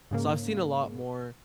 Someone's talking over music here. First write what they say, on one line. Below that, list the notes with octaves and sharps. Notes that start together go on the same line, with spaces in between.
so I've seen a lot more,
G#2 C#3 A#3